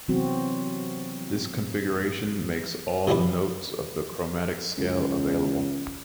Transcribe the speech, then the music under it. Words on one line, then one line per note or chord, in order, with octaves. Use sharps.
This configuration makes all the notes of the chromatic scale available.
C3 E3 F#3 B3 C4 F#4
C3 E3 F3 G3 B4
C#2